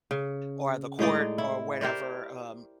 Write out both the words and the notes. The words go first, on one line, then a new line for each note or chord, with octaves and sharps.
or the court or whatever, um,
C#3
A2 G#3 D#4 D5
E4
G4 A#4 C5 D5